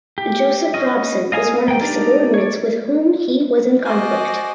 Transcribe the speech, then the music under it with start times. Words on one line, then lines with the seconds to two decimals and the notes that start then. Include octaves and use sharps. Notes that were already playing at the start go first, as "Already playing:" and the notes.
Joseph Robson was one of the subordinates with whom he was in conflict.
0.18 G4
0.74 C#4 D#5
1.32 D#5 F5 G#5 A5 D#6
1.68 A#3 G5
1.81 D4 D#4 G4 A#4 D5
2.34 C#5 D5
3.85 F#4 C5 D5 D#5 G#5